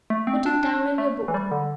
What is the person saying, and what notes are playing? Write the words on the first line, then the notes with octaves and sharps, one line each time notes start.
"Put it down in your book."
A3
C4
D4
D4
A3
E3
G3
D3